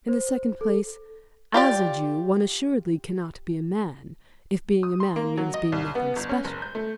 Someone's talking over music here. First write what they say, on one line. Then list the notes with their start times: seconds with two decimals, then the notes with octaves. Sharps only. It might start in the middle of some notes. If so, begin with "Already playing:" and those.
In the second place, as a Jew one assuredly cannot be a man, if being a man means being nothing special.
0.08 C5
0.61 A4
1.54 F4 G4 D5
4.83 D#6
5.00 C6
5.16 A#3
5.37 F#3
5.54 D#5
5.72 C2
5.95 B3
6.16 G1
6.29 C#4
6.45 F#1
6.62 G6
6.75 A3